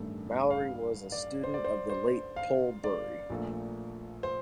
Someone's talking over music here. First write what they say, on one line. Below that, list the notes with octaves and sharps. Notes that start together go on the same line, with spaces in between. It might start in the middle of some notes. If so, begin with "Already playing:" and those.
Mallory was a student of the late Pol Bury.
Already playing: A1 G2 D#3 A3
F5
D5
C5
D5
C5
C5
F5
D5
A#1 A#2 A3
C5